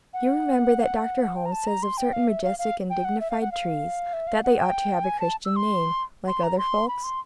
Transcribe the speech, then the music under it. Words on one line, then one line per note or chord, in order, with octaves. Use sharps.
You remember that Dr. Holmes says of certain majestic and dignified trees that they ought to have a Christian name, like other folks?
F#5
G5
A#5
A5
A#5
C6
G5
F5
E5
F5
F5
G5
F#5
E5
F5
F#5
F5
E5
F5
F#5
G5
G#5
A5
E6
C6
C6
A#5
C6
B5
C6